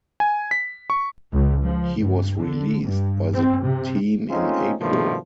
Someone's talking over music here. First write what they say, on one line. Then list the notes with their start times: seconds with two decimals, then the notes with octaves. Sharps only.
He was released by the team in April.
0.20 G#5
0.51 B6
0.90 C#6
1.32 C#2
1.63 F3
1.99 G2
2.40 D3
2.83 G2
3.34 C4
3.63 C3
4.30 G#3 A3 C4 C#4 D#4 F4
4.80 G2 B2 D#3 F3 A3 A#3